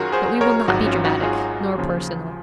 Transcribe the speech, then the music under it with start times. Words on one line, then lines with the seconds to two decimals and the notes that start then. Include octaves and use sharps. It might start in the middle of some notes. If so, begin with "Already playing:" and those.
'But we will not be dramatic, nor personal.'
Already playing: F#2 D#3 F#3 F4 F#4 G#4 A#4
0.12 G#4 C5
0.41 A#4 C#5
0.68 G#1 G#2 F#3 D#4 F#4
0.86 C#4 F4
1.05 D#4 F#4
1.23 F4 G#4
1.78 D#2 C#3 F3